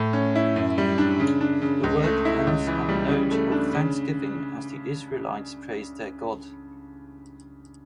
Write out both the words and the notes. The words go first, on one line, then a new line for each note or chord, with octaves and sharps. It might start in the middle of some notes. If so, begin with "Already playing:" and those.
The work ends on a note of thanksgiving as the Israelites praise their God.
Already playing: A2
C#4
E4
F#2
G3
D4
C#3
D4
C#3
C#2
A3
E4
C#2
E3
G3
C#3
A3
D4
C#3